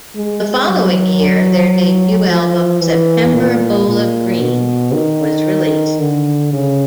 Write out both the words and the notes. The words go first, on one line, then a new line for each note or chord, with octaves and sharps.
The following year, their debut album "September Bowl of Green" was released.
G#3
F#3
F3
E3
A#2
A#2
B2
D#3
D3
C#3